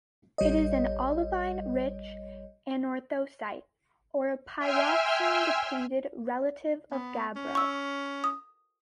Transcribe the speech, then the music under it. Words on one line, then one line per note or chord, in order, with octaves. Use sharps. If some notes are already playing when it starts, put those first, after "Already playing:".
It is an olivine-rich anorthosite, or a pyroxene-depleted relative of gabbro.
A1 G3 C#5 D#5
E5 G5 G#5 C6 E6 F6
B3
C#4
C#6 E6
D#6